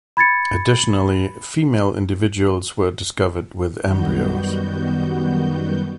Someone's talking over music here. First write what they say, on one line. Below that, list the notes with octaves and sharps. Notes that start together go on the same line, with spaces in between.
Additionally, female individuals were discovered with embryos.
B5 G#6 A6 C#7
F#2 D#3 G3 B3 F#4 G6